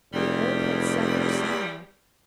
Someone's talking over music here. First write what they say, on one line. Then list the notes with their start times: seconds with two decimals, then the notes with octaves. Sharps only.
The oak had suffered somewhere.
0.13 F1 E2 G3